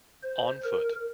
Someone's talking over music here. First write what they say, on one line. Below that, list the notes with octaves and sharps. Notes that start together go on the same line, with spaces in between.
On foot.
C5
A#4